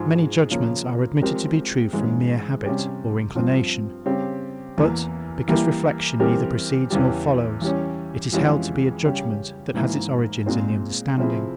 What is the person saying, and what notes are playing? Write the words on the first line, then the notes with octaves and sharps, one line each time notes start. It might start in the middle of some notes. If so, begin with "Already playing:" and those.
Many judgements are admitted to be true from mere habit or inclination; but, because reflection neither precedes nor follows, it is held to be a judgement that has its origin in the understanding.
Already playing: G#2 F3 G#3
C#3 F3 A#3
F3 G#3 C4 G4 A#4
G#2 E3 G#3 C#4
C3 G3 C#4
G2 F3 C4
C#3 G3 C4 G4
E2 E3 A#3
E3 G3 A#3 E4
E3 G3 C4 G4 A#4
E2 C#3 E3 G3
E3 G3 C#4
F2 E3 G#3 C#4 G4
C#3 G3 C#4 G4
G#2 E3 A#3 E4
A#2 G#3 C4 F4 C5
C3 F3 C4 E4 G#4